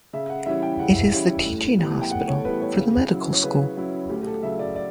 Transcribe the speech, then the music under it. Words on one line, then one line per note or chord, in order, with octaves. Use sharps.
It is the teaching hospital for the medical school.
C#3 E5
F#5
E3 G3 C#4 E4 E5
G5
C#3 F#5
E3 G3 C#4 E4
A2
E3 G3 B3
G5
A2 F#5
C#5
A4
E3 G3 B3 B4
C#5
C#3
F#3 C#4 E4
C#5
C#3 B4
F#3 C#4 E4
D2 G4
G4
A4
C#3 F#3 E5
D5
D5